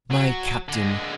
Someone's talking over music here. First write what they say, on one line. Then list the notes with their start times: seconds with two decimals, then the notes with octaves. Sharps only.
My Captain!
0.11 F#3
0.68 D3 G#3